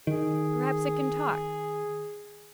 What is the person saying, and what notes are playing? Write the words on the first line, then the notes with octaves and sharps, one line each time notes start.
"Perhaps it can talk."
D#3 G#4